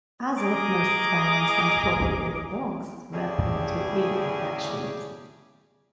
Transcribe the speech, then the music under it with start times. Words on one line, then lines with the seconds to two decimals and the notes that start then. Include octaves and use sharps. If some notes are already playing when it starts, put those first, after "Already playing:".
As with most spaniels and floppy eared dogs, they are prone to ear infections.
0.37 A#3 G#4 D#5 A#5 D6 D#6
3.13 E2 A2 C#3 G4 G#4 D5